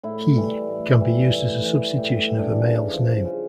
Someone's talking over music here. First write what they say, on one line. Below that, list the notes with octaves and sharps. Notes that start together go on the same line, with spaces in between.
"He" can be used as a substitution of a male's name.
A2 E4
E3 G3
A2
E3 G3
A2
E3 G3
A2 G4
G4
E3 G3
D4
C#3 C#4
F3
C#3